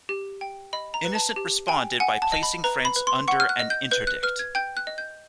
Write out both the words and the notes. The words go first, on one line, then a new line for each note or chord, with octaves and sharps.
Innocent responded by placing France under an interdict.
G4
G5
D#5 B5
A#5
B4
A5
G4
G5 G#5
F#5 G#5
A5
D#5
B5
B4 A#5
B5
B4
C6
F#5 C#6
F6
F#6
D#5
G6
B4 G6
F#6
B4 F6
G#6
G5 G6
F#6
D#5
G6